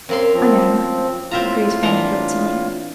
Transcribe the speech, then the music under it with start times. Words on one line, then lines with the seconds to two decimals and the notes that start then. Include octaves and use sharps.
"I know," agreed Fanny guiltily.
0.09 F#2 A#3 C4 C6
0.33 F3 C4
1.31 A2 C4 F4 E5 A#5
1.83 E3 D4 A#5